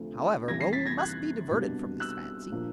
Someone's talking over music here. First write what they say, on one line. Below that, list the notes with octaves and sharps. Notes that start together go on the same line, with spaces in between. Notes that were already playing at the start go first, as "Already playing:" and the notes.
However, Raoul must be diverted from this fancy.
Already playing: D2 C3 F3 A3 D4
F2 C3 E3 G3 G#6 A#6
A#6 C7
A6 B6
G#6 A#6
F#6 G#6
C2 B2 G3 B3 D4
E6 F#6
A#2 F3 A#3 D4